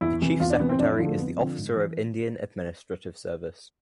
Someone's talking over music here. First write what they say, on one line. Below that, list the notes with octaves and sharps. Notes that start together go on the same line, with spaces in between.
The Chief Secretary is the officer of Indian Administrative Service.
E2 E4
C3 E3
E2 F4
D4
C3 E3 B3
C4
F2 D4
E4
D3 F3
A3
F2 B3
D3 F3 C4
G#2
E3